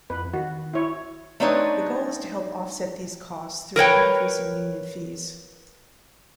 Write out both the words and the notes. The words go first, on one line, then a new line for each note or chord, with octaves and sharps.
The goal is to help offset these costs through an increase in union fees.
F2 B4
D#3 F#4
E4 C#5
A3 C4 D4 D#4 B4 C#5
A#4 B4 C#5 G5